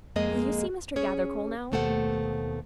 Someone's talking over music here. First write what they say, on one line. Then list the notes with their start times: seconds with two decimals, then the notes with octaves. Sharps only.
"Will you see Mr. Gathercole now!"
0.16 F2 G#3 A#3 G#4 D#5
0.96 C#4 G#4 C#5
1.72 D#2 B2 A3 A4 C5 F#5